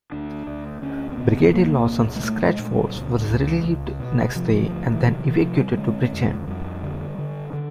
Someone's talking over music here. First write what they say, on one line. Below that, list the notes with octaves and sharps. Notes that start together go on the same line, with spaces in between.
Brigadier Lawson's scratch force was relieved next day and then evacuated to Britain.
D2 D4
D2
D2 C#4
C4
C3 B3
C2 A#3
A#2
G#3
A#2 A3
G#3
A#2
G3
C#2
C#2
C#2
B2
C3 F3
D2
E3
C3 D#3
F3
E3
C3 F3
G3
D3 G#3
F2
F2 G3
D3
D3
D3